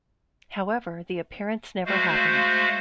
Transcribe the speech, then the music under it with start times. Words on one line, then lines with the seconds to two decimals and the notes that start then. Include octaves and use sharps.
However, the appearance never happened.
1.86 G#3 A3 F#4 C5 F5